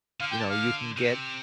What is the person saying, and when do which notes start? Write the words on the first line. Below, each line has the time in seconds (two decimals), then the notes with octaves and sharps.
you know, you can get
0.20 D3 F5
0.30 G5
0.39 A5
0.48 F5
0.97 C3